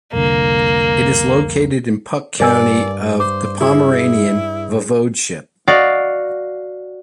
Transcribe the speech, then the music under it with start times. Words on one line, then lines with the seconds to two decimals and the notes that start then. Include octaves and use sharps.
It is located in Puck County of the Pomeranian Voivodeship.
0.13 F1 C2 D3 A#3
2.40 G2 A#4 D5 G#5 E6
3.20 C5 D6
3.61 E4 G#4
5.68 F#4 D5 D#5 F5